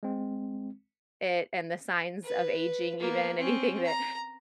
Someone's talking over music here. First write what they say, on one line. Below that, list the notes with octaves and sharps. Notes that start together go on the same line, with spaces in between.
it and the signs of aging even, anything that,
G#3 C4
B4
A#3 B3
C4 C#4
A#5